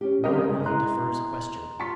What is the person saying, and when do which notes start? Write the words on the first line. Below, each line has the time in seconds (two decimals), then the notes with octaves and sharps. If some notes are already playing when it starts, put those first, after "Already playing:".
War only defers a question.
0.01 C#4 G4
0.24 C#3 G3 C4 G4 A#4 D#5
0.48 G2 G#3
0.66 E4 D#5 F#5 A#5 C6 F#6
1.80 F4 A5 C#6 B6